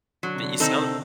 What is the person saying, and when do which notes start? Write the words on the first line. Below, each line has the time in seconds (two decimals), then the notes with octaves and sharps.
But you sound
0.23 D3 F#3
0.35 C3
0.42 D3
0.60 D#3 C4 D#4 A4
0.78 C3